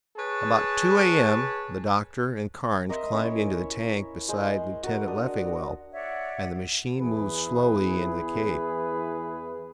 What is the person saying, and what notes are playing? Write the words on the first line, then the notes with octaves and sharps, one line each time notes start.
About two A. M. the doctor and Carnes climbed into the tank beside Lieutenant Leffingwell, and the machine moved slowly into the cave.
G#4 B4 C#5 A5
A#4 D#5 E5 C6
C#4 E4 C#5
G#3 C5
C6
F#4 A#4 F#5
D4 D#6
C#5 D5 E5 F#5
E2 E3 G#4 B4